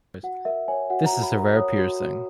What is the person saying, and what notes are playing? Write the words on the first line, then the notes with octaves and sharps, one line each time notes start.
This is a rare piercing.
F#4 F#5
A#4 E5
C#5 G#5
F#4 F#5
A#5
F#4
B5
A#4
A#5
C#5 D#6
F#4
F#4